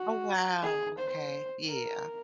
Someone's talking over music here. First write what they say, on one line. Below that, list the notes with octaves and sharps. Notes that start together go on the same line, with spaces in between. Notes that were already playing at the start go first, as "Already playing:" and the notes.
Oh, wow. Okay. Yeah.
Already playing: F#4
G#4
C5
A#4